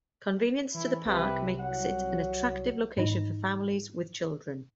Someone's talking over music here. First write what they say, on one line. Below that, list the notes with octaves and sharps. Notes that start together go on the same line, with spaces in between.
Convenience to the park makes it an attractive location for families with children.
E3 E4
C2 C3 B4
F#3 F#5
G#2 E3 D#4